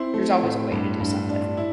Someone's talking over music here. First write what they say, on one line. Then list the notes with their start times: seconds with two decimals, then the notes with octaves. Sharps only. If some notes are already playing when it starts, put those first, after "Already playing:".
there's always a way to do something.
Already playing: C4 E4 C6
0.14 A3
0.43 A2
0.72 G2
1.00 G2
1.29 D4
1.57 E4